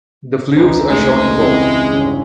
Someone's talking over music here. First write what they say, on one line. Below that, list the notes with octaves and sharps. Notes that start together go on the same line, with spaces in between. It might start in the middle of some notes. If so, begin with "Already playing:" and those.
The "fleuves" are shown in bold.
E1 C#2 D#4 F4 B4 C5
G#3 A3
C4 E4 G4 G#4
G1 E3 C#4 G#4